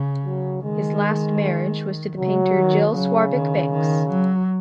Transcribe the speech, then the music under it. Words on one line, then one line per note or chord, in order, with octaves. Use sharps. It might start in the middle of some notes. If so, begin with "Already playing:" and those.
His last marriage was to the painter Jill Swarbrick-Banks.
Already playing: C#3
F#3
D#3 G#3
C#3 F#3
D#3
C#3 F#3
D#3
D#3
F#3